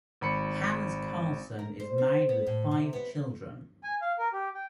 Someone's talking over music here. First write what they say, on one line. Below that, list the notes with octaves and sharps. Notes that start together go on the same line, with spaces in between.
Hans Karlsson is married with five children.
G#1 B5 C#7
A#4
C5
C4
B3
A2
C3
B3
G#5
F5
A#4
G4
G5